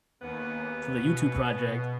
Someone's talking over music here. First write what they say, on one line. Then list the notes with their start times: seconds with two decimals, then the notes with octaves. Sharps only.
for the YouTube project,
0.22 D#2 C#3 B3
0.96 B2